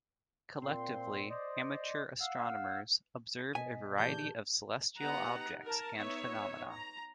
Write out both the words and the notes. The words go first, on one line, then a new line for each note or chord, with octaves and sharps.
Collectively, amateur astronomers observe a variety of celestial objects and phenomena.
A#2 C4 C6
C5 D5 D#5
F5 F#5 E6
B2 D#5 G#5 B6
A#2 E3 G4 G#4 D5 A5 G6
B3 D#4 G4 F#5 A#5
A#4 A5
B3 D#4 C#5 E5
A#5